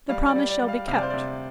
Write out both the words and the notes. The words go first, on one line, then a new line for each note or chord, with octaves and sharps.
'The promise shall be kept.
G3 F5
D5
G3
D5
G3
F5
C3 F5
D5
C5
C3 D5